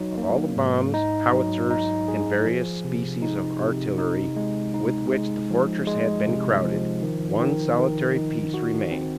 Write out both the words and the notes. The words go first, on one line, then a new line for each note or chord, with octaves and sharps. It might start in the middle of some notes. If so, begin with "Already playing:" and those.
Of all the bombs, howitzers, and various species of artillery with which the fortress had been crowded, one solitary piece remained.
Already playing: F#3 D#4
A#3
G#2
D#4
F#3
D#4
G#4
F3
C3
D#4
C3
D#4
G#3
D#4
G#3
F3
G#3
C3
F3
D#3
D#3
D#3
D#4
F#4
C4